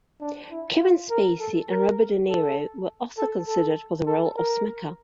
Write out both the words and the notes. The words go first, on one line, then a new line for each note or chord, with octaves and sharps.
Kevin Spacey and Robert De Niro were also considered for the role of Smecker.
D4
E4
F4
A#4
A4
A#4
A4
A4
A4
A4
A#4